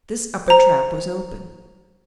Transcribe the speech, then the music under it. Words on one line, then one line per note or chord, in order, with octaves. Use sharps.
This upper trap was open.
C5 A#5